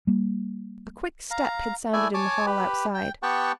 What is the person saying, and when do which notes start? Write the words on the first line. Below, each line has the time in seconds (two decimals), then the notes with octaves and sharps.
A quick step had sounded in the hall outside.
0.07 G3 A#3
1.31 F5 A#5
1.93 A3 E4 D5 E5 G#5
2.14 C#5 G#5 A5 D6
2.47 G4 B4
2.94 G5
3.23 B3 G4 F#5 G5 A5 C#6